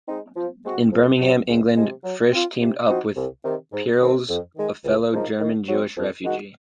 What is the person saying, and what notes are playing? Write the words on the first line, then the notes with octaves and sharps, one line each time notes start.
In Birmingham, England, Frisch teamed up with Peierls, a fellow German-Jewish refugee.
G#3 C4 D#4
F3
G#3 C4 F#4
F2
C3 F#3
C#2
C3 F3 G#3
F#3
C4 F4
C3
F3 C4 D#4 F#4
C2
C3 D#3
G#2
D#3 G#3 C4
F2
D#3 G#3
C#2
C#3 F3 A#3 D#4
D#3
F#3 C4
F2
D#3 G#3 D#4 F#4